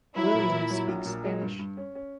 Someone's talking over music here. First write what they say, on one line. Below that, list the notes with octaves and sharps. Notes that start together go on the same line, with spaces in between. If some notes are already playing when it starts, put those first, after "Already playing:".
Williams speaks Spanish.
F#3 E4
A#2
A#2
F#3
A#1
A#2
G#3
G2
G2
C#4
C#4